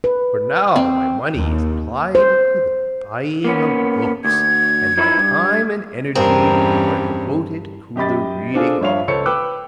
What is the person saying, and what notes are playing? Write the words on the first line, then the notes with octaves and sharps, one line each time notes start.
For now my money is applied to the buying of books, and my time and energy are devoted to the reading of them.
B4
C4
D#2
C5
A#3 B3 C#4
D2 G#6
F3 D#4 E4
G2
E2 G2 C4 C#4 G#4 A#4
F#2 G4 D#5 B5 A6
C4 D4 F4 G#4 A4
G2 F3 C#5 E5 F5 F7
C#2 A4 C5 C#5 A5 C#7
B4 G5 D6 E6 F#6